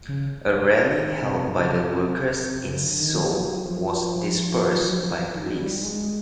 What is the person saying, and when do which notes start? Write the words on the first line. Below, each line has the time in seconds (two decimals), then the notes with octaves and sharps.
A rally held by the workers in Seoul was dispersed by police.
0.08 C#3
1.22 C3
1.46 B2
1.59 C#3
1.71 C3
2.61 C3
2.67 C#3
2.83 D3
3.00 D#3
3.16 F#3
3.40 F#3
3.65 F3
4.62 F3
4.75 F#3
4.88 F3
5.10 E3
5.35 D#3
5.47 F#3
5.59 G3
5.83 G#3